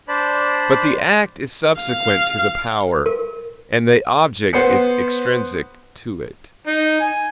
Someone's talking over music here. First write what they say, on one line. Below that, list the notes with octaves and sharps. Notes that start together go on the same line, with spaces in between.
But the act is subsequent to the power; and the object is extrinsic to it.
D4 C5 D5 A5 B5
F5
A#4
B3 C5 C7 C#7
D#4
G#5